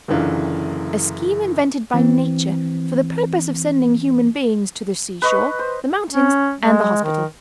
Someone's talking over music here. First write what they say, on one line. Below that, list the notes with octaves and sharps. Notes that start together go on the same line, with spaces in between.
A scheme invented by Nature for the purpose of sending human beings to the seashore, the mountains and the hospital.
F#1 F#2 D3 E3 F4
E3 C4
B4 D#5 C#6
C5
C#4
G#3
D#3